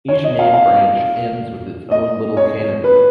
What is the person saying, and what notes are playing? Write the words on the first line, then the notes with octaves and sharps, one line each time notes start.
Each main branch ends with its own little canopy.
C#5
D#5
F5
F5
D#5
C#5
B4